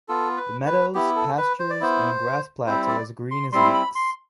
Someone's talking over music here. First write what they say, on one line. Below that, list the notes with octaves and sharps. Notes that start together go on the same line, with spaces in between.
The meadows, pastures and grass plats are as green as leeks.
B3 F4 A4
B4
B4
B3 E4 G4
A4
B4
C5
D5
B3 E4 C5
G3 C4 E4 C5
D5
C6
G3 C4 E4 C6
B5
C6